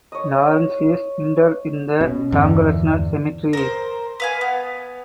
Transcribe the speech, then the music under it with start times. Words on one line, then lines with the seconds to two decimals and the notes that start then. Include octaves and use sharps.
Lawrence is interred in the Congressional Cemetery.
0.12 C#5 D#5
2.01 B2 C#4
2.32 E2 G2 D3 D5
3.53 A#4 C5
4.20 B4 F5 G#5
4.41 B3